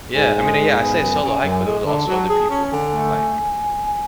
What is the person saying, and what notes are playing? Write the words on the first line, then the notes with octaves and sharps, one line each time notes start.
Yeah, I mean, yeah, I say a solo hike, but there was also other people, like,
G#2 G#5
G#3
G#2
B3
F#2
C#3
F#2
G#3
D3 A5
F#3
G#4
C#4
D3 G#5
A3